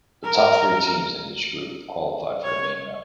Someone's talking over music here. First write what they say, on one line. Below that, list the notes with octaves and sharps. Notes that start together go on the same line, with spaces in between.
The top three teams in each group qualified for the main round.
A#4
C#5